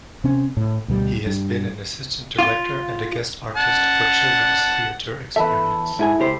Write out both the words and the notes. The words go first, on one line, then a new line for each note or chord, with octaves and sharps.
He has been an Assistant Director and a Guest Artist for Children's Theatre Experience.
C3 C4 C#4
A2
D2 B2 G3
G2
F4
F#5 A5
E2 A4 B4 E5
G#2 E4 G#4 G#5
C#2 G4 C5